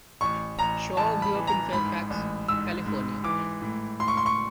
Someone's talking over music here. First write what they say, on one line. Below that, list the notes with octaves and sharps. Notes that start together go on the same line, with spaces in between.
Shaw grew up in Fairfax, California.
A1 C#6
A1 A#5
A1 A5
B5
E3
A#5
G#2 B5
A1
G#2 E6
G#2
E3 D6
A2
A2 C6
C#6
C6
C#6